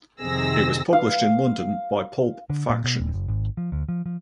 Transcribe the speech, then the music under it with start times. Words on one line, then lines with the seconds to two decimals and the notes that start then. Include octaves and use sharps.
It was published in London by Pulp Faction.
0.20 F2 C3 D#3 G#4 E6 A#6
0.93 F5
2.50 D3
2.69 A#2
2.84 B2
2.99 D#1
3.14 F#1
3.28 G#1
3.57 F3
3.72 D2
3.89 F3
4.06 F3